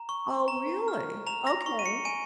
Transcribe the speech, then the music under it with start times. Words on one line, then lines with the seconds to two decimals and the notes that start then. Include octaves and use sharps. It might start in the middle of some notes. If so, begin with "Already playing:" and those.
Oh, really? OK.
Already playing: A#5
0.09 C#6
0.48 A#5
0.88 F6
1.27 A#5 F7
1.47 A#6
1.66 C#6
1.79 D#7
1.86 C#7
2.05 G#5 D#7